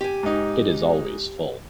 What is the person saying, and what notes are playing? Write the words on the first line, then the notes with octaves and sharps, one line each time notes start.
It is always full.
G4 G#5
G#2 D#4